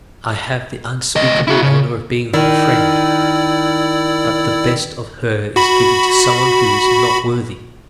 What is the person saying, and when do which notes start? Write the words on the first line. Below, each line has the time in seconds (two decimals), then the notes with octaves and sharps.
I have the unspeakable honour of being her friend, but the best of her is given to someone who is not worthy.
1.16 D2 D#5
1.48 E4 F#4
1.62 C#3
2.33 D#3 E4 D5 E6
5.56 F#4 B5